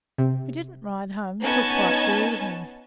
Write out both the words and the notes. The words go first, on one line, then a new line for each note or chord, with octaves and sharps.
We didn't ride home till quite the evening.
C3
B3 C#4 D#4 G#5 A5 G#6